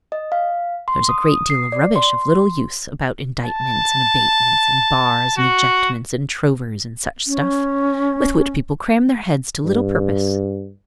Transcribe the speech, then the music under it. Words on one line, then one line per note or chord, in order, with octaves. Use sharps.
There is a great deal of rubbish of little use, about indictments, and abatements, and bars, and ejectments, and trovers, and such stuff, with which people cram their heads to little purpose.
D#5
F5
C6
D#6
D#6
C7
D5
C6
A5
F#4
C#4
G2